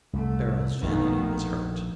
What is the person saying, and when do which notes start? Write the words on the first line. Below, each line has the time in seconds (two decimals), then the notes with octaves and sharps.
Beryl's vanity was hurt.
0.13 C2 A3
0.83 A#1 B2 D#3 A3